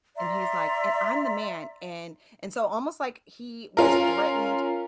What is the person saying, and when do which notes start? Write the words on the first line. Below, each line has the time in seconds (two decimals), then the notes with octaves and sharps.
And he's, like, "And I'm the man," and and so almost like he was threatened
0.16 D5 E5 A#5 C6
3.77 C#4 F4 A#4